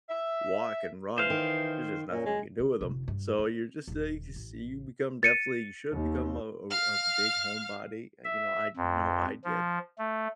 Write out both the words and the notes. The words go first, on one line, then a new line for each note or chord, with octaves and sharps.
walk and run, there's just nothing you can do with ‘em. So, you're just, eh, you can see you become definitely you should become a a a big homebody, eh, you know, I know I did.
E5
E3 C5 F5
D#3
A#2 C#4
G#3
D3
F1 D3
G2
C4
D#1 D#3
A1
A6 C#7 D#7
D#2
F5 F6
E5
F2
F3
A3